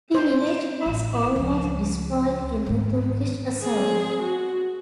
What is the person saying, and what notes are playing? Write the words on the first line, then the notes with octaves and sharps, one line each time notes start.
The village was almost destroyed in the Turkish assault.
C5
A1
C#2 F3
G#2 D#3
C4 G#4
F#4